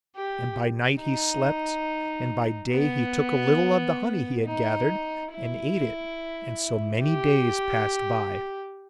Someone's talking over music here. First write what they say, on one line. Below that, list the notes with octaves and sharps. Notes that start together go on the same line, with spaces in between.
And by night he slept, and by day he took a little of the honey he had gathered and ate it; and so many days passed by.
G4
D#4
B3
D#4
E4
G4